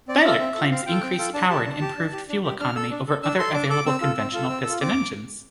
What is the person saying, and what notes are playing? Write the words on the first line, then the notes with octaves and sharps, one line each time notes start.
Thielert claims increased power and improved fuel economy over other available conventional piston engines.
C4 D5
F4 A4 E5
C4
F4 A4
C4 F5
F4 A4 G5
C4
F4 A4
D4 A5
G4 A5
D4
G4
D4
G4
D4
G4
D4 F6
A4 E6
D4
A4
D4 E6
A4 C6
D4 D6
A4 D6
C4 E6
F4 A4
C4
F4 A4
C4
F4 A4
C4 D6